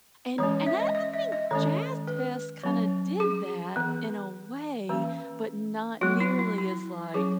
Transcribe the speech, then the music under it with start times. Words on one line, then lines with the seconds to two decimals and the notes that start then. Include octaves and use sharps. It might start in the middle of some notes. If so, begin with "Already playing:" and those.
and and I I think Jazz Fest kinda did that in a way, but not nearly as, like,
0.38 E3 G#3 C#4 C#5
0.67 E5
0.80 D#5
0.95 D#5
1.14 E5
1.32 D#5
1.51 D#3 G#3 C#4 C#5
2.07 B4
2.63 F#3 C#4
3.20 G#4
3.76 E3 B3
4.89 E3 A#3 C#4
6.01 F#3 B3 F#4
6.20 E4
6.39 E4
6.58 E4
7.14 F#3 C#4 G#4